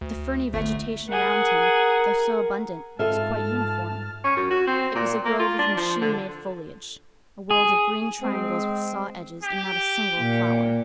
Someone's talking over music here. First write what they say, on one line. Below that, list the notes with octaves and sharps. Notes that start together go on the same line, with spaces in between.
The ferny vegetation round him, though so abundant, was quite uniform--it was a grove of machine-made foliage, a world of green triangles with saw-edges, and not a single flower.
D2
G1 A3
G#4 A#4 F#5
G#2 F4 A4 E5 A5 F6
C#4
F#2
F#4
C4
A#2
A#3
F4
D4
F3
D3
G#4
G#3 C4
G4
A#2